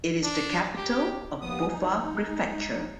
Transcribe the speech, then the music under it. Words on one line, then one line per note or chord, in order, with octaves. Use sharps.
It is the capital of Boffa Prefecture.
D4
G4
G#1 D#2 F3 B3 D#6
D#4
G#3